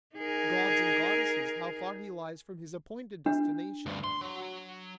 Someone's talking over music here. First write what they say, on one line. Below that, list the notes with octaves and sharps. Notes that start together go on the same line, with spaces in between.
Gods and goddesses, how far he lies from his appointed destination!
D#4 G#4 A#4
D4
D2 G2
C6
F#3